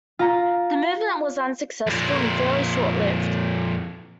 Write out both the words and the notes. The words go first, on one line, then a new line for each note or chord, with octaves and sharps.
The movement was unsuccessful and fairly short-lived.
F4 A#5
F2 A#2